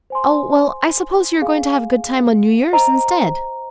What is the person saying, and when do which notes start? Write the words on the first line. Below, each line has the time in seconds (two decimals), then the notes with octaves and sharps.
"Oh, well, I suppose you are going to have a good time on New Year's instead."
0.10 C5 G#5 C6
1.42 G#4 F5 G#5
2.73 C5 D#5 A#5